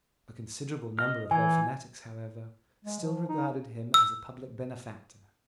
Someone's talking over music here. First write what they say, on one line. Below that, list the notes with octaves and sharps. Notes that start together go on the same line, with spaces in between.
A considerable number of low fanatics, however, still regarded him as a public benefactor.
D#5 F6
E3 G#5 G#6
G#3
F3
D#4
E6